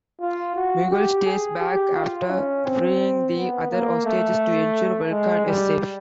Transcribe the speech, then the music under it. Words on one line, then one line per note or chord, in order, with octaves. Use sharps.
Miguel stays back after freeing the other hostages to ensure Vulcan is safe.
F4
F#4
G4
G#4
G4
F4
C#4
C4
B3
A#3
A3
G#3
G3